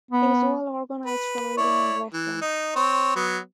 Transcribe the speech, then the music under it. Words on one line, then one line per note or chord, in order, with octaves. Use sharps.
It is well organized for reading and reference.
B3
B4
E4 C#5 D5
E3
D#4
C4 C#5
F#3 B3